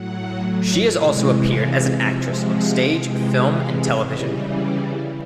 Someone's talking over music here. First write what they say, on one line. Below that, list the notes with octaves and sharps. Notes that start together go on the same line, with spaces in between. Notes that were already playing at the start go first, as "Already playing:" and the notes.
She has also appeared as an actress on stage, film and television.
Already playing: A2 F#3 F#5
C3 E3 G#3
F5
C3 F3 G#3 E5
F#5
C3 E3 G#3 G5
F5
C#3 E3 G3 D#5
D5